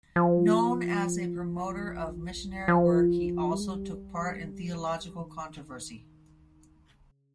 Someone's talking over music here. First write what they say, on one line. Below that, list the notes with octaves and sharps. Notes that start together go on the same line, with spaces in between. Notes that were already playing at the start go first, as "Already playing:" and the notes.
Known as a promoter of missionary work, he also took part in theological controversy.
F3
F3
G3
G#3
G3
D#3
C#3